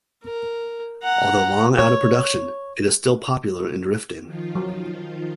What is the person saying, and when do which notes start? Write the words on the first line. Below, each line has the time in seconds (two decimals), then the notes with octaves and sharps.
Although long out of production, it is still popular in drifting.
0.24 A#4
1.03 F#5 A#5
1.79 C#5
4.25 D#3 F3 F4
4.55 F#3